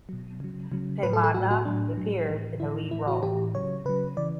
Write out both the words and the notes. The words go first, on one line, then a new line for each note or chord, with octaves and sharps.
Tamannaah appeared in the lead role.
B2 F#3
C#3 F#3
C#3 F#3
A2 F#3 B4
A4
A4
A2 F#3 F#4
F#4
A2 F#3 D4
A2 F#3
A2 E3
A2 E3 E4
A2 E3 E4
F#4
A2 E3 G4
C#3 F#3 C#5
C#3 F#3 B4
C#3 E3 D5